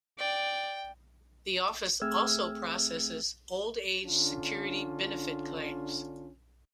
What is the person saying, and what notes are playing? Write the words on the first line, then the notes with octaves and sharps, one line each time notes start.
The office also processes Old Age Security benefit claims.
D5 G5
A3 C4 G#4 E6 F6 G#6
D3 C#4 D4 F4